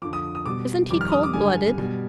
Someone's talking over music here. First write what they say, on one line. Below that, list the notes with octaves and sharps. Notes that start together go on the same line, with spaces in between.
Isn't he cold-blooded?
F2 D3 F3 D6
D#6
D#6
B2 G3 D6
F2 D#3 G3 D6
F6
D#6
D6
G2 D3 G3 G#5
B2 G3